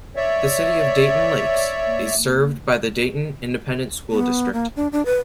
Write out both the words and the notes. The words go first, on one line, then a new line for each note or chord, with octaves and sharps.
The City of Dayton Lakes is served by the Dayton Independent School District.
C#5 D5 E5
B3
A#3
D4
D4
B4